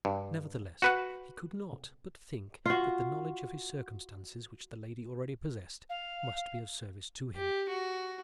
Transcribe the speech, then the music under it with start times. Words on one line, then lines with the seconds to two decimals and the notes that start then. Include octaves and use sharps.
Nevertheless, he could not but think that the knowledge of his circumstances which the lady already possessed, must be of service to him.
0.05 G2
0.82 F#4 B4 F#5
2.66 F4 F#4
5.89 F5
7.36 G4
7.69 F#4